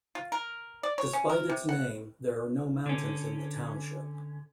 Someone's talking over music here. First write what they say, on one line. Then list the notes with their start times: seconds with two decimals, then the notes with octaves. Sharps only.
Despite its name, there are no mountains in the township.
0.15 F4
0.32 A#4
0.83 D5
0.98 C#5
1.13 C#4
1.29 A#4
1.50 C3
1.69 F#5
2.86 D3 C#4